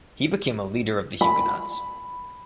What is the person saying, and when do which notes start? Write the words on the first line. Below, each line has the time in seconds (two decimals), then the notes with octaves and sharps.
He became a leader of the Huguenots.
1.21 B5